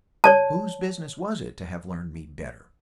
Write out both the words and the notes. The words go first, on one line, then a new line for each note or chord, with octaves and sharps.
Whose business was it to have learned me better?
C#5 D5 A5